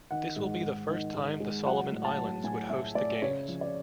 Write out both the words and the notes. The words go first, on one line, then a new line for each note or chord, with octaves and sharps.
This will be the first time the Solomon Islands would host the Games.
D#3 F#5
G#2
G#2
D#3
G#2
G#3
F#3 F#5
A2
A5
F#3
A2 G#5
A2 E5
A2 D5
C#3 C#5
F3
D5